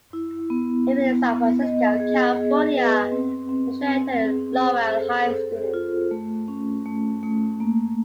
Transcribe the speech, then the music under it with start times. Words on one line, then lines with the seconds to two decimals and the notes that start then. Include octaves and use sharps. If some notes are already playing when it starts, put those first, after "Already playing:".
Living in San Francisco, California, Meschery attended Lowell High School.
0.13 E4
0.50 B3
0.88 B3
1.25 B3
1.62 D#5
2.00 G#4
2.37 G#4
2.75 B4
3.12 C4
3.49 C4
3.87 C4
4.24 G#4
4.61 C5
4.99 A4
5.36 A4
5.74 F4
6.11 A3
6.48 C#4
6.86 A3
7.23 A3
7.60 A#3